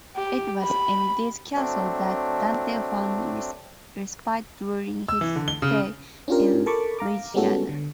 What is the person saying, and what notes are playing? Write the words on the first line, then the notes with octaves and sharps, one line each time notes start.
It was in these castles that Dante found respite during his stay in Lunigiana.
G4
B5
F#3 A3 C4 D4
E6
E3
D3
G7
C#3
C#4 D4 F4 G4 A#4
A4 A#4 A5 B5 C#6 D6
F5 A#5 D6
G3 G#3 B3 C#4 F#4 A4
D3